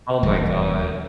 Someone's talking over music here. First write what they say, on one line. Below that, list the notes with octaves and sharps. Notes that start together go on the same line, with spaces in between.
Oh my god.
E1 D#2 E3 G3